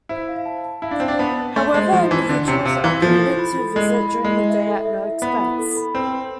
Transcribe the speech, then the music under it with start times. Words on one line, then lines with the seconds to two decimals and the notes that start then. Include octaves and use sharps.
However, individuals are permitted to visit during the day at no expense.
0.09 E4 C5
0.28 F5
0.45 A5
0.65 A5
0.82 E4 F5
0.91 D4
1.00 C4 A5
1.08 D4
1.19 B3 A5
1.37 A5
1.56 A3 C6
1.74 G#3 C5
1.92 F3 C6
2.11 E3 A5
2.29 D3 C6
2.47 C3 C6
2.65 C3 F5
2.84 E3 C6
3.02 F3 A4
3.21 E4
3.38 B5
3.58 A4
3.76 G#3 E4
3.94 B5
4.12 E4
4.25 G#3
4.31 E4
4.49 E5
4.67 A4
4.85 E5
5.04 E4
5.22 B3 B5
5.40 E4
5.58 A4
5.77 B5
5.95 C4 B4
6.13 B4